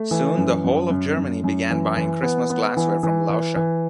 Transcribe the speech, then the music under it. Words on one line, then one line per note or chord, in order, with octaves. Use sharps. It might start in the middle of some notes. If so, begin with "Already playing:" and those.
Soon, the whole of Germany began buying Christmas glassware from Lauscha.
Already playing: A3
E3
F#2
F#2
F#2
F#2
F#2
E3
E3
B3
B3
E3
E3
E3
E3